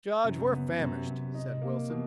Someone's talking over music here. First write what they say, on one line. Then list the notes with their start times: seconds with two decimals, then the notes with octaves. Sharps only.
"Judge, we're famished," said Wilson.
0.24 F#2 C3
0.38 C3
0.52 C#3 B3
0.80 F#2 C3
1.07 F#2
1.34 D#4
1.62 A#3
1.90 B2